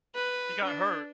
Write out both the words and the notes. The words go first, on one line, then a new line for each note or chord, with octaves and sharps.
he got hurt
B4
D4